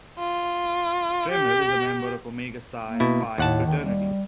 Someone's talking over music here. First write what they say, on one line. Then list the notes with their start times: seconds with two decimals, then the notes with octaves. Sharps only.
Trammell is a member of Omega Psi Phi fraternity.
0.19 F4
1.31 G4
2.87 A#3
3.00 B2 E4
3.38 D#2 A2 F#5 A5
3.66 D#3
3.82 G3